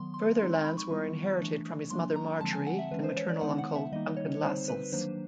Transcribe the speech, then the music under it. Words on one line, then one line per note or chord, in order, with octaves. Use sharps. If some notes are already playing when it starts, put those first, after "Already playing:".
Further lands were inherited from his mother Marjorie and maternal uncle Duncan Lascelles.
Already playing: D#3 F#3 B3 C6
C6
G#3 C4 D#4 C6
C6
B5
C#6
D#3 G3 B3 E4
E3 A3 D4
F#3 A#3 D4 C6
A#5
D3 F3 G#3 C4 A5
G#5
F#5
E5
E3 G#3 C#4 B4
C5
C#5
D5
D#3 G#3 B3 D#4 F#5
F#5
E5
D#3 G3 A#3 D#4 D#5
C#5
C#5
D3 G3 C4 D#4 C5
B4
D#3 F#3 A#3 D4 C5